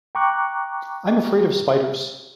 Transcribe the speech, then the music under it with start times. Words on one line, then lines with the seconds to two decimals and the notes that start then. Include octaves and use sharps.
I'm afraid of spiders.
0.15 G5 A#5 C#6 D6 F#6